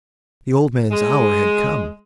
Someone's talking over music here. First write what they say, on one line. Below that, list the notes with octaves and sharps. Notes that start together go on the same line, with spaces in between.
The old man's hour had come!
G#3